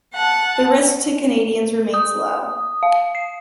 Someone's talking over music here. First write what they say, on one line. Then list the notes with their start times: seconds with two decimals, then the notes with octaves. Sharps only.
The risk to Canadians remains low.
0.13 F#5 A5
1.94 D#6
2.83 F5
3.15 C7